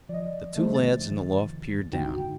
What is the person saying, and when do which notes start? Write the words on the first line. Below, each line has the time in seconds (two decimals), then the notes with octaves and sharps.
The two lads in the loft peered down.
0.09 F3 D5 D#5
0.56 G3 A3 G#4 C5
0.74 G#1 D3 C#4 A6
0.99 F1 D#3 F3
1.92 F#1 G#2 D3 D#4 F#4 G5